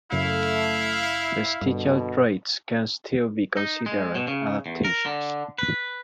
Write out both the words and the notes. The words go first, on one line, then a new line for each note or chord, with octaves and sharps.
Vestigial traits can still be considered adaptations.
F#2 C#3 A3 E4 F5
G2 B2 D3
D#4
G#3
B2
C#3
E2
A#4
D3
B4